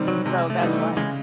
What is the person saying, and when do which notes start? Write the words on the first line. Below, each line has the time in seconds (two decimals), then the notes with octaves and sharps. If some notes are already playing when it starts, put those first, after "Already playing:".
and so that's why.
Already playing: C3 D#3 G3 C4
0.08 F#3
0.25 C3 G#3
0.50 A3
0.62 E3 G3 B3 D#4
0.73 A3
0.97 C#3 G#3